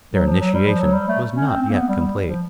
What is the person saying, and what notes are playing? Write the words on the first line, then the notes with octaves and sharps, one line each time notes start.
Their initiation was not yet complete.
F#3
F3
F#3
G3
F3
F#3
G3
A3
C#4
C4
C4
A#3
B3
G3
G3
F3